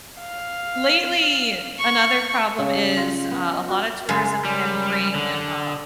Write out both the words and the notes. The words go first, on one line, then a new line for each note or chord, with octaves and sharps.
Lately, another problem is, uh, a lot of tourism can bring, um
F5
C#6
C#3
G4
F4
B3
D#5
F#4
F#2 C#3 G#3
G3
D3